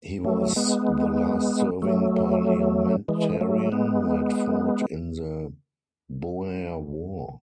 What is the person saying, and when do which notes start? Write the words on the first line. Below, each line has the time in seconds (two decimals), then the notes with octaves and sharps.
He was the last serving parliamentarian who had fought in the Boer War.
0.25 F#3 A3
0.56 G#3 B3
1.82 F#3 A3
3.08 E3 G#3
3.41 F#3 A3
3.72 G#3 B3